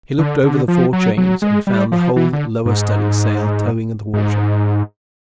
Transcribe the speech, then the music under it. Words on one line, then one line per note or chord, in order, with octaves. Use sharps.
He looked over the fore chains, and found the whole lower studding-sail towing in the water.
D3
D3
F3
F#3
F#3
G#3
G3
F3
E3
D3
G#2
G#2